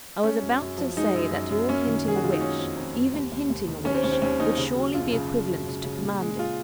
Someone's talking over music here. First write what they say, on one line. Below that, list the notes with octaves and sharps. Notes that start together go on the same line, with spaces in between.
I was about to say that your hinting a wish, even hinting a wish, would surely be equivalent to commanding.'
G#3 C#4
F#2
F#2
F3
G#3 D#4
F#2
F#2
F#2
A#3 C#4
D#3
D#3 G#4
F#4
D#3 F4
D#4
A#3 C#4
F2
F2
F2
D#2
D#2
D#2
D#3
D#2 C#4
C4
D#2 C#4
C4
D#2 C#4
D#2 D#4
C#3
F#3
F#2 F4
C#3
C#3
F#2
C#3
C#3
A#2
G#3
G#3 F4